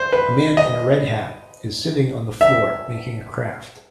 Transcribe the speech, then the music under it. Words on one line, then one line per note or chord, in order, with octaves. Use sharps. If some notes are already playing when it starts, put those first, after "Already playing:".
A man in a red hat is sitting on the floor making a craft.
Already playing: C5
B4
D#5
E5